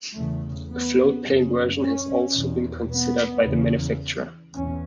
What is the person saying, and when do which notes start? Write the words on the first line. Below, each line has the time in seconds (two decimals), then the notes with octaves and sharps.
A floatplane version has also been considered by the manufacturer.
0.15 E2 C#3 A3
0.71 B3
1.26 F#2 C#3
1.81 C#4
2.35 E2 B2
2.91 B3
3.45 E2 C#3
4.55 E2 C#4